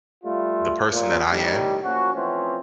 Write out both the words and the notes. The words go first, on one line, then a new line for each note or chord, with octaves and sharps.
the person that I am
G3 A3 F4
A#2
A2 D#3 G3
F3 A#3 C#4 F#4
E3 F3 A3 C4 C#4